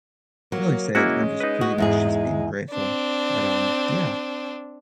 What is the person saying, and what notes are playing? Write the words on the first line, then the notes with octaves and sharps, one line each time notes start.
really say, I'm just pretty much just being grateful, but, um, yeah,
F#3 A#3
G#3 A#3 C#4 E4 F#4
D#4 B4
F#4
E2 G#2 G#4
C4 D4